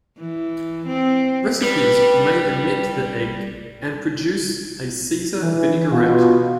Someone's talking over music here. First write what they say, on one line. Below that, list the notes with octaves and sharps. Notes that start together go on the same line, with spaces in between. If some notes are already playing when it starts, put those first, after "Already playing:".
Recipes may omit the egg and produce a "Caesar vinaigrette".
E3
C4
G3 B4
E3
B2 F4